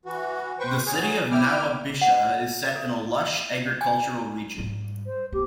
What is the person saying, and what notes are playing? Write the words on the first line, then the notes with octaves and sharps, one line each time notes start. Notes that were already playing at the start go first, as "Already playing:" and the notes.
The city of Nawabshah is set in a lush agricultural region.
E3 F#4
B4 C5 G5 C#6
F#3 G#4 G#5
E4 G5 D6 F6
F#5
A4
G#5
G#2 G3
C5
B3 G4